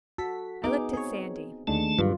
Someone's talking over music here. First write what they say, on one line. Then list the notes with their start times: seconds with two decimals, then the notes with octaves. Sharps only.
I looked at Sandy.
0.18 F#4 A4 B6
0.64 B3 D#4 G#4 D6
0.93 C4 G#4 C#5
1.67 D#2 D3 G#3 A3 A5
1.99 G2 F#3 F4